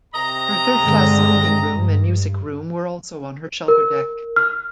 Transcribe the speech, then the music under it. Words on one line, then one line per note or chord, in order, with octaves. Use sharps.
Her third class smoking room and music room were also on her shelter deck.
C3 D#5 A#5
G2 D3 G#3
G2
A#4
F6